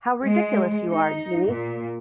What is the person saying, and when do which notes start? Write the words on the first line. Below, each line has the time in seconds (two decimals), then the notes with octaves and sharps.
How ridiculous you are, Dimi!
0.22 G#3
0.92 D#4
1.48 A#2